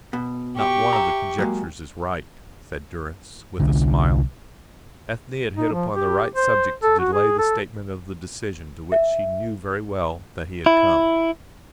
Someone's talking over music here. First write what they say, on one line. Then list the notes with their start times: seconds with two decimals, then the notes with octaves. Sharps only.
"Not one of the conjectures is right," said Durrance, with a smile. Ethne had hit upon the right subject to delay the statement of the decision to which she knew very well that he had come.
0.13 B2
0.56 G4 C#6
0.93 E5 A#5
1.39 F#3 G#3 A#3
3.60 C2 D3
5.56 D#4
5.72 F3
5.95 G4
6.35 C5
6.83 A4
6.99 F#4
7.13 G#4
7.38 A4
8.92 E5
10.66 E4